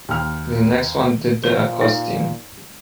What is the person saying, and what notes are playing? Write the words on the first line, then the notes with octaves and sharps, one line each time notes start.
The next one did the accosting.
D#2 F6
A#2 C5
D#4